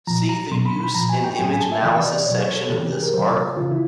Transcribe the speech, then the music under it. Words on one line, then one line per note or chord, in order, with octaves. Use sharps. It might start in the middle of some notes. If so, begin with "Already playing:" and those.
See the Use in image analysis section of this article.
A#2 F3 A#5
A#5
B2 F#3 C6
B5
B5
A#2 F3 A#5
G#5
G5
A2 F#3 G#5
G#5
A5
E5
C3 E3 D#5
D5
B2 F#3 C#5
C#5
A4
C3 E3 G4
G4
G#4
A#4
C3 D#3 F#3 C5
C#3 E3 F4
E4